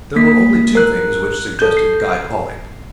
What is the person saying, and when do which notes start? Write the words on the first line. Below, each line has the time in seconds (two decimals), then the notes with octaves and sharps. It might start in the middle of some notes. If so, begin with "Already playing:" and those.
There were only two things which suggested Guy Pollock.
0.16 A#3 B6
0.75 A#4 F#6
1.59 A4 G6
1.77 C7